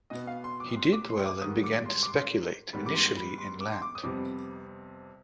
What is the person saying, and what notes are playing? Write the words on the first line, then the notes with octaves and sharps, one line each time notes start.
He did well and began to speculate, initially in land.
B2 B3 D#5
F5
C6
D6
C6
D6
C6
D6
G#2 D#3 G3 D#6
D6
C6
D6
C6
G#2 D#3 G3 B3 B5
D6
C6
B5
C6
D6
C6
D6
D#6
F2 C3 G3 B3 D6